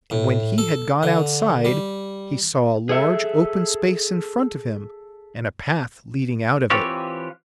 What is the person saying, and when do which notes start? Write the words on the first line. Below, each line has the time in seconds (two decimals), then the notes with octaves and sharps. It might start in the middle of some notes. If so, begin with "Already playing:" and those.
And when he had got outside, he saw a large open space in front of him, and a path leading out of it.
0.11 A2
0.58 A4
1.03 D3
1.65 G3
2.89 G#4 A4 E5
6.70 E3 C4 F4 G4 B4 C#5